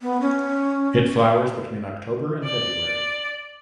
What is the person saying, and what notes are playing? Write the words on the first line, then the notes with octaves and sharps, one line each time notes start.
It flowers between October and February.
B3
C#4
D5